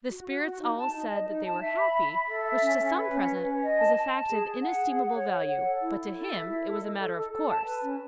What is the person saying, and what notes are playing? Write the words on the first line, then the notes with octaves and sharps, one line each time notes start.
The spirits all said that they were happy, which to some present was a fact of inestimable value, but to him it was a matter of course.
F#4
F#4
F#4
D#4
A5
D#4
D#5
D#4
A5
E5
B5
E5
E5
A4
E5
C#4
C#4
B4
C#4
B4
C#4
D#5
A5
A5
A5
G#4
G#4
F#5
G#4
F#5
C#5
C#5
F#5
A4
E4
E4
A4
E5
E4
A4
D#5
A4
A4
A4
A5
B4
C#4